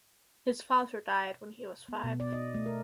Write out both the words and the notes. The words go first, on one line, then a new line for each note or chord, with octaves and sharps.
His father died when he was five.
B3
B2
D5
D#5
A3
A#4